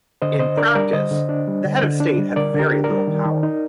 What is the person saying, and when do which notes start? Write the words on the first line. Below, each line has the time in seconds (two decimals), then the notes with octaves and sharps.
In practice, the Head of State had very little power.
0.22 D3 C5 D#5
0.39 D3 C5 D#5
0.57 D4 A#4 D5
0.75 G3 A#4 D5
0.93 D3 C5 D#5
1.11 D3
1.29 D4
1.47 G3
1.65 D3
1.83 D3
2.00 D4
2.18 G3
2.36 D3 A#4 D5
2.54 D3
2.59 G4 A#4
2.72 D4
2.84 A#4 D5
2.90 G3
3.08 D#3
3.25 D#3
3.43 D#4